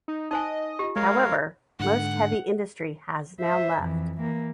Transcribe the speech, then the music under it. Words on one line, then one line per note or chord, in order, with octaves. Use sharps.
However, most heavy industry has now left.
D#4
D#4 C5 D#5 G#5
F4 G4
G#3 A#4 C#5 F5
G#2 D3 F#5
C5 E5
F2 E3
E3 A#3